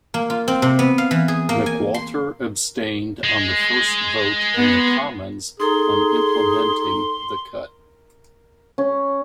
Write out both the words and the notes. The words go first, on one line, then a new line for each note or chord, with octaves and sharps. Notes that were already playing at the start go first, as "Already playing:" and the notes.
McWalter abstained on the first vote in the Commons on implementing the cut.
A#3
F4
C4
C3
B3
F5
E3
G#4
A#3
G#5
C6
G#3
B3
D#4 G#4 A4 A#5 C6
C#4